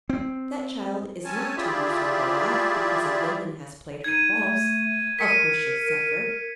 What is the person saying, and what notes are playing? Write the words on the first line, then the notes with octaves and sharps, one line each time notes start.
That child is not to lose her whole life because a villain has played her false. Of course she'll suffer.
C4
C4 C#4 C#5 G#5 A5
E4 F4 G4 G#4 D5 E5
D#4 G#6 D#7
A3
A#4 B6 C#7 D#7